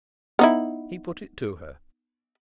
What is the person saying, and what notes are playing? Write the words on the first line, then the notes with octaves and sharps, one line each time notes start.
He put it to her.
B3 D#4 E4